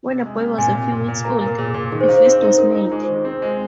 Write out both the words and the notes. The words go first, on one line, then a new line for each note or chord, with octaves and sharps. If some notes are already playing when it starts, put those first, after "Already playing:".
When a boy was a few weeks old, a feast was made.
C3
G#3
C3
A#2 G#5
A#2
A#2
A#2
A#3 A#5
A#2
A#4
A#2 G#4
A#4
A#2 G#4
D#3 G#4
C5
D#4 F5
C5
C4
D#4
D#4 A#4
D#4
F4
G#3 G#4
C5
D#3
G#4
C4 F4
G#3